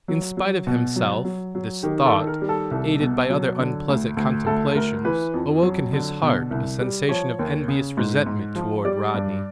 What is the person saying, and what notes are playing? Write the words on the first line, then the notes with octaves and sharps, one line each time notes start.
In spite of himself, this thought, aided by other unpleasant contemplations, awoke in his heart a sensation of envious resentment toward Rodney.
F#3
F#3
B2
F#3
F#3
F#3
D#3 G4
A4
D#3
A#4
G3
A4
C2
B2
F#3
D3
D2
D2
D2 A4
D2 A#4
E3 B4
F2
F#3
D3
B2
C2
G3
F3 C#5
D#2
C#3
G#2
G#2
F3
G3 D5
G2